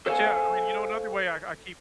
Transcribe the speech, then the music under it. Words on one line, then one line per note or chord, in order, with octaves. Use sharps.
But, yeah, I mean, you know, another way I I keep
A4 C5 C#5 D#5 F5 G#5